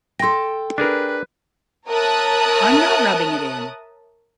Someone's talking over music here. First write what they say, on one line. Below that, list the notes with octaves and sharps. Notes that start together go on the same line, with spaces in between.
I'm not rubbing it in.
A4 G5 C6 A#6
D4 G#4 A#4 B4
A#4 C#5 E5 A5 D#6 F#6